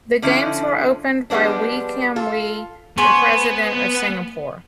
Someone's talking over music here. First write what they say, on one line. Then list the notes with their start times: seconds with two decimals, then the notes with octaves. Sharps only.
The games were opened by Wee Kim Wee, the President of Singapore.
0.22 D3 F3 C#4 E4
1.30 F3 G3 G#3 B3 D4
2.16 F4 A4
2.98 B3 G#4 B4 C5 C#6